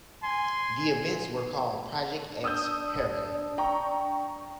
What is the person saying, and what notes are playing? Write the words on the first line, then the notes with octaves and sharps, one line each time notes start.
The events were called Project X Haren.
G#5 C6
D4 D#6 E6 G6
G5 A#5 C#6